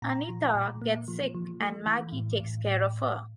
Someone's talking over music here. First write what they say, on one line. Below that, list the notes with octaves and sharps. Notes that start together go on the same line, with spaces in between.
Anita gets sick and Maggie takes care of her.
A#2 A#5
F3
A#2
A#3
F3
F3
A3
E3
A2
A2
A2